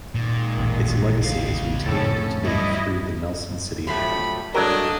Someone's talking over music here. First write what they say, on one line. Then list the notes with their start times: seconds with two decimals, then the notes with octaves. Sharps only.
Its legacy is retained today through the Nelson City Band.
0.15 A#2 D#3 G#3
0.58 A1 D#2
1.22 C#2 F5
1.86 F2 A2 C#4 A4
2.45 G2 F#3 G3 E4 D#5
3.87 F3 F#3 A3 G4 B5
4.54 G2 F#3 G#3 A#3 D4 A4 A#4 D#5